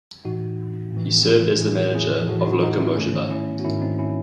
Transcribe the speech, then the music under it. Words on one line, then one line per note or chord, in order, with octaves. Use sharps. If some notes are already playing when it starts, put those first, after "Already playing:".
He served as the manager of Lokomotiva.
A2 E3 D#4 F#4
A2 E3
A2 E3 E4 G#4
E4 G#4
A2 E3 F#4 A4
D#4 F#4
D#4 F#4
C#4 E4
G#2 D#3 A3 C#4
C#4 E4
F#4
G#2 D#3 C#4 E4
C4 D#4
C#4 E4